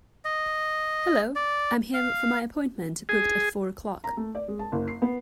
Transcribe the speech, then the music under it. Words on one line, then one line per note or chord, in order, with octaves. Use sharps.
Hello, I am here for my appointment booked at four o'clock.
D#5
D5
F5
G#4
A#5
A3
D5
G#3
A5
F#1
C7
B3